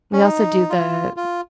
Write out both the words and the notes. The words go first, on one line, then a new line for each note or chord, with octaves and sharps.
We also do the
C#4
D#4
F4
F4